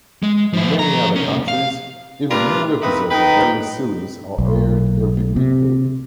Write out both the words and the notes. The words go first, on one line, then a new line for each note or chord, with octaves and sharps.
In many other countries, even new episodes of various series are aired every weekday.
G#3
F3 E4
F3 A#5
C2 C#4
F5
G3 D4 F4 A#4 B4 D5
A#3 C4 D#4 E4 B4
D#4 B4 G5
B1
C3